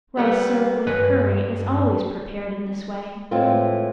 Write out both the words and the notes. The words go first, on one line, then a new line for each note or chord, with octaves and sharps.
Rice served with curry is always prepared in this way.
G3 A3 B3
G2 B4 C#5 G#5
A2 E3 G#3 C4 F4